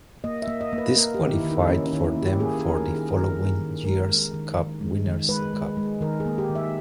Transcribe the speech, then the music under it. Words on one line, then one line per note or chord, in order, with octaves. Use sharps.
This qualified for them for the following year's Cup Winner's Cup.
A#3 D#5
E5
A#3
D#5
A#3
B4
A#3 A#4
G4
D#3
E4
D#3
D#4
A#3 C#4
C#4
D#3
E4
A#3
G4
A#3 G#4
A#4
D#3
A#4
D#3
G#4
D#3 A#4
D#3
D#3
G#3 A#4
G#3
D#3
D#3
G#3
D#3
G#3 B4
G#3
G#3
D#3 A#4
G#4
A#3
G4
D#3
E5